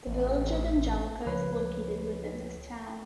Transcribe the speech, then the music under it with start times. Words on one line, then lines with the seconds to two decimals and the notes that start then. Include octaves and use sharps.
The village of Angelica is located within this town.
0.07 A1
1.26 C#2 F3 B4 C#5